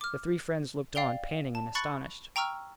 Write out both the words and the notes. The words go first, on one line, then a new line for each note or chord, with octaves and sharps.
The three friends looked on, panting and astonished.
D6 F6
D5 F5 G5 F7 G7
A5
B5 C#6 F#6 A6 C#7
G5 A#5 C#6 E6 F6